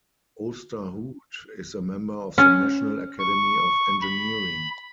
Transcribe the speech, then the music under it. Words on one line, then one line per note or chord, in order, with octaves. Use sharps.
Ousterhout is a member of the National Academy of Engineering.
C#4
C#6
B5